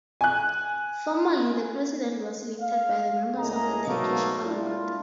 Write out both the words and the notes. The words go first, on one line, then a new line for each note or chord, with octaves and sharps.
Formerly, the President was elected by the members of the Turkish Parliament.
G#5 F#6
F5
C#2 A3 A#3 G#4 D#5 A#5
G#2 B2 F#3 A3 A#3
A#3 D4 E4 F4